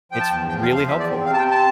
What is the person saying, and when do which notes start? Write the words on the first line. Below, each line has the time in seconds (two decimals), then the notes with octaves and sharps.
It's really helpful.
0.12 F3 G5
0.21 A5
0.30 E2 G5
0.49 F3 G5
0.62 F5
0.69 F3
0.75 F5
0.87 E2 E5
1.00 D5
1.07 C4
1.26 C3 F5
1.34 A5
1.39 G5
1.45 C4
1.51 A5